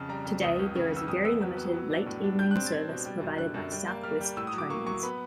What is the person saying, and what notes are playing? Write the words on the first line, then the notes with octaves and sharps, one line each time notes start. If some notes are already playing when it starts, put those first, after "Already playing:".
Today there is a very limited late evening service provided by South West Trains.
Already playing: F2 C#3 A5
G3 A#5
F2
C#2 D#6
C#2
C#3
E3 E6
F2 D#6
B3 E6
F#3
B3
F#3
D4
A2
D4
G3 G6
C4 F#6
A6
C4 G#6
B2
G3
F#2
D3 F#6
F#2
G3
A#3
G3 F6
G3
A2 E6
D#6
F#3 D6
A#3 C#6
F#3 C#6
B3 B5